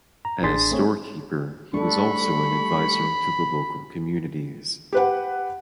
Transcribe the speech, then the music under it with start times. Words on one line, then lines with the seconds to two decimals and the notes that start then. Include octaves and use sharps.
As storekeeper he was also an advisor to the local communities.
0.25 A#5
0.43 A1 D4 G#4 C6 A6 B6
0.71 A3 C4 G#4 C#5
1.74 G3 A3 D4 A4 B5 C#6
4.93 G4 B4 F#5